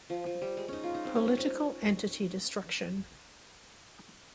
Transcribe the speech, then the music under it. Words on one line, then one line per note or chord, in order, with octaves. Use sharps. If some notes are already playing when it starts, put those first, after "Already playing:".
Political entity destruction.
F3
F3
G3
G#3
C#4 D#4
F4
D#4
C4
C#4
C4
C#4